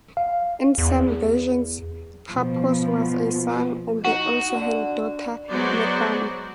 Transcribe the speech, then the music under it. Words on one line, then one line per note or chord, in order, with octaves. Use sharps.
In some versions Paphos was a son, and they also had a daughter, Metharme.
F5
E2
B2 F3
D#4 F#4
D3
F#3 G#3 B3 F#4 C5 D5